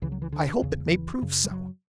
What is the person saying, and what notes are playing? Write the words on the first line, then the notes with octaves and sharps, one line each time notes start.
'I hope it may prove so.
C#2 C#3 E3
F#3
E3
D3
E2 C#3
E3
F#2 C#3
G3
F#3